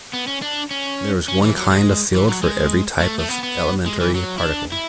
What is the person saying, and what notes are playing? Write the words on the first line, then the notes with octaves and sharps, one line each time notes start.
There is one kind of field for every type of elementary particle.
B3
C#4
D4
C#4
C#4
E3
F#3
G#3
E3
F#3
G#3
A3
A3
B3
B3
G#3
E3
F#3
E4
D4
E4